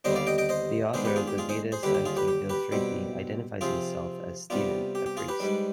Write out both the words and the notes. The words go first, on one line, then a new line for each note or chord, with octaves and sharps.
The author of the "Vita Sancti Wilfrithi" identifies himself as "Stephen, a priest".
D#2 D3 G3 B3 D4 C5 D#5
D5 F5
D#5 G5
D#5 G5
C5 D#5
G#2 D#3 B3 D4 G#4 C5
G4 B4
F4 G#4
G4
F4 G#4
G#4 C5
G#4 C5
D#2 D3 G3 G4 B4
G4
F4 G#4
G4 B4
G4
G4 B4
B2 G3 C4
C3 F3 C4 F4 G#4
C3 G3 B3 D4 F4
G4
G4
F4 G#4
G4 B4
G#2 G3 D4